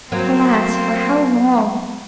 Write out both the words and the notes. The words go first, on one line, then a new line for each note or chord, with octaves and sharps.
Alas! for how long!
F#3 A#3 C4 C5